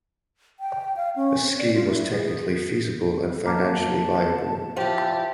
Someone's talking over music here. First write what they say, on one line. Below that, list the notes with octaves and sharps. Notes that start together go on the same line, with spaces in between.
The scheme was technically feasible and financially viable.
G5
F5
C#4
C4
D5
F4
E4
G#4
A#3 A5
F3 E4 G4